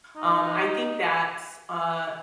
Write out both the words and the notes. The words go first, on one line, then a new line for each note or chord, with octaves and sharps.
Um, I think that's uh,
D#4